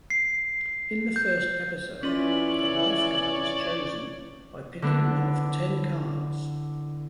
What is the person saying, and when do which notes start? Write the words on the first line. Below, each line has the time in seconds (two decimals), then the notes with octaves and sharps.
In the first episode, the Lifeguard is chosen by picking one of ten cards.
0.10 C7
1.16 G6
2.03 E3 C#4 F4 C#5 D5 C6 F#7
4.82 D3 B3 D4 E4